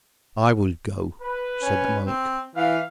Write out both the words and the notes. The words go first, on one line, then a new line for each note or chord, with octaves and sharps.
"I will go," said the monk.
B4
C#4
C4
E3 F5